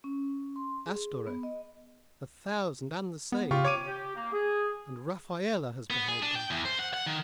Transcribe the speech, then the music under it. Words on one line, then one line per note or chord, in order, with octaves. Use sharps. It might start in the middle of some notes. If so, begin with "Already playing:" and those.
Astoreth!--a thousand and the same! And Rafaelle has beheld them!
C#4
C6
G#4
B3
D#5
B3
C#3 F4 G4 C#6
C#5 D6 D#7
G4
A#3
G#4
B3
G#4
D4
G5
E2
C5
F#5
F#5
D#3